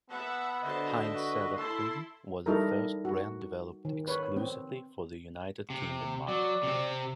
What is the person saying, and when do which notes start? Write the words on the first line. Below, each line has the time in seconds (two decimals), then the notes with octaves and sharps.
Heinz Salad Cream was the first brand developed exclusively for the United Kingdom market.
0.10 B3 E5 F#5 A5
0.63 D3 F#4 C5 D#5 E5 A5
1.13 F#4 B4
1.58 E4 A4 A5 C6
2.46 G3 D#4 E4 A4 A#4
3.05 F#4
3.85 D#3
4.08 B4 C#5
4.36 C4
5.70 C3
6.28 F#3 D5
6.63 C3 C4